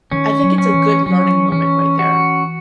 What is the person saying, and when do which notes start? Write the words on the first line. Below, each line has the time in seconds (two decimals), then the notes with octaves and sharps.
I think it's a good learning moment right there.
0.12 D#3 C#4
0.44 F#3
0.58 C#4
0.74 E3
1.06 F#3 C#4
1.52 E3 C#4
1.99 F#4